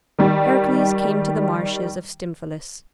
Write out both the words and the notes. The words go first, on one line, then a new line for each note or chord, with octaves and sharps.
Heracles came to the marshes of Stymphalus.
D#3 G3